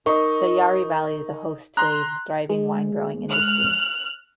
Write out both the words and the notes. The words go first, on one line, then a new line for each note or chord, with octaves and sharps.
The Yarra Valley is host to a thriving wine growing industry.
D#4 A#4 D#5 C#6
A#5 C6 F#6
G#3
F6 F#6